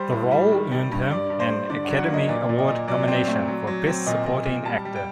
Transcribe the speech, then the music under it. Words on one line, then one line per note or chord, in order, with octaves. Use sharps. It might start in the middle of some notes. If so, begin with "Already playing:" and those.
The role earned him an Academy Award nomination for Best Supporting Actor.
Already playing: G3 C5
A2
G3
D#3
G3
G2
G2 D5
G2
C5
G2
D3 D5
F#5
F#3
F#5
A#3
D#5
A#2 D5
A#2
D#5
A#2
F#3 D5
C4
A3
F#3
F#3
C4
A#2 D#5
A#2 D#5
A#2
G3 A5
G3
G5